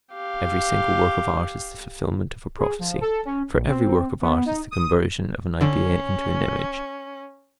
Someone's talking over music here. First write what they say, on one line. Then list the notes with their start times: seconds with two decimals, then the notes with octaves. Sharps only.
Every single work of art is the fulfilment of a prophecy: for every work of art is the conversion of an idea into an image.
0.12 G4 F5
2.58 G#4
2.79 F3
3.01 A4
3.25 C#4
3.53 A#1
3.68 C4
4.21 B3
4.46 D#4
4.71 D#6
5.61 D3 C#4